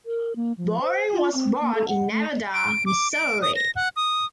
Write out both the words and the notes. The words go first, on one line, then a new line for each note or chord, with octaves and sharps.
Bowring was born in Nevada, Missouri.
A#4
A#3
F3
C5
F4
C4
A#3
A4
F#5
A3
D7
D6
D7
D#6
A#6
F#5
D#6